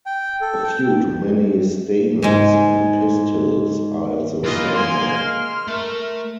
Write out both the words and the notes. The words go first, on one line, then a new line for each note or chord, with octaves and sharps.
A few to many stamens and pistils are at the center.
G5
A4
G5
G#2 G#3
E3 G#3 A#3 F4 D#5
G#5 C6
F6
A3 A#4